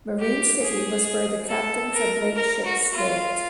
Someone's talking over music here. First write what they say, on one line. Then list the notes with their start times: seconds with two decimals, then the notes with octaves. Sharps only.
Marine City was where the captains of lake ships lived.
0.19 G4
0.62 G#4
1.49 A4
1.93 A#4
2.36 A#4
2.65 F#4
2.93 F4